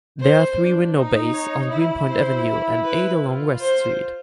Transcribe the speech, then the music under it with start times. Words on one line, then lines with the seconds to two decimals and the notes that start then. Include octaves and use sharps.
There are three window bays on Greenpoint Avenue and eight along West Street.
0.20 C5
0.57 D4
0.95 D#4
1.33 C#5
1.71 E4
2.09 C5
2.84 B4
3.22 F4
3.60 C5